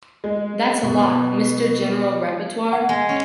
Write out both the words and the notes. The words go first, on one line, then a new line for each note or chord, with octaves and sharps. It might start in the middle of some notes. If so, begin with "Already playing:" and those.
That’s a lot, mister general rapporteur.
G#3
B2
F#5
G#3
C#4